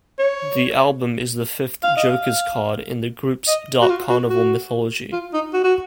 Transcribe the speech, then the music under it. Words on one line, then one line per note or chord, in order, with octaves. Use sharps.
The album is the fifth Joker's Card in the group's Dark Carnival mythology.
C#5
F5
D#5
F5
D#5
F#4
F4
F#4
F#4
F4
D#4
F#4
F#4